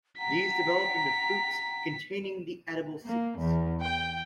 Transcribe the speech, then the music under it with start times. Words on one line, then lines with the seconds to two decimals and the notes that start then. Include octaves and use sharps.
These develop into fruits containing the edible seeds.
0.18 F#5 G5 A#5 B6
3.05 A#3
3.39 E2
3.82 G5